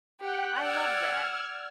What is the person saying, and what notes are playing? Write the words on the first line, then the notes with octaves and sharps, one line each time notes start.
I love that.
G4 F#5 G5 F#6
D5 F#5 E6 F6 G#6